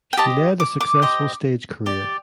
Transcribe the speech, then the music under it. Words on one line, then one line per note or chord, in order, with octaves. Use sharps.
She led a successful stage career.
G5
G4 C5 D#5 A5
D6
D6
G4 C5 D#5
G4 D5